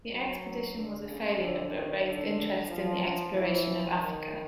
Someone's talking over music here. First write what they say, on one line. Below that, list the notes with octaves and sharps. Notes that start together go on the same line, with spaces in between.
The expedition was a failure but raised interest in the exploration of Africa.
F#3
D3
C#3
D3
D#3
D3
F3
E3
D#3